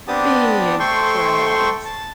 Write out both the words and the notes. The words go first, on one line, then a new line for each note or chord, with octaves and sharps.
big crowds.
B3 C4 D4 G4 A5 D#6
A3 A4 C5 G5 C6 C#6
A5